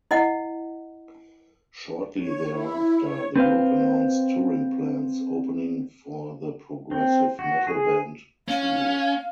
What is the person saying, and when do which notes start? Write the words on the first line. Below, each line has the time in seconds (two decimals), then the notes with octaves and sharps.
Shortly thereafter, the group announced touring plans opening for the progressive metal band Tool.
0.11 E4 D#5 F#5
2.18 C#5
2.51 E4
2.99 C#5
3.36 C4 B4 C5 F5
6.91 C4
7.39 F#4
7.67 G#4
8.48 C#4 F5